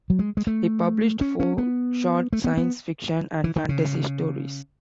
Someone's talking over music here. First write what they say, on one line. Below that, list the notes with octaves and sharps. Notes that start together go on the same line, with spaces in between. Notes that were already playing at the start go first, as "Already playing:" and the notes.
He published four short science fiction and fantasy stories.
F#3
G#3
G#3
A3
C#4
C#4
B3
A3
B3
B3
E3
D#3
C#3